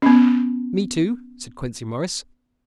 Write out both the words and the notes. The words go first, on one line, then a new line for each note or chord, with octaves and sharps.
"Me too?" said Quincey Morris.
B3 C#4